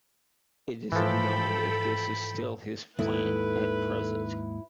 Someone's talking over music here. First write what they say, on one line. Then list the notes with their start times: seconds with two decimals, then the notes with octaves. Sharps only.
It is unknown if this is still his plan at present.
0.92 G#2 E3 F3 A4 G5 B5
2.99 D#2 G#2 D#3 E4 A4 B4